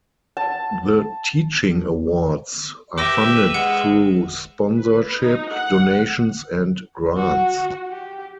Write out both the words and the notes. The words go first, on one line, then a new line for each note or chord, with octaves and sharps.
The Teaching Awards are funded through sponsorship, donations and grants.
A5
G4 B4 E5 D6 E6 A#6
G#3 F#5 C#7
B4
D#4
F#5
F#4
G4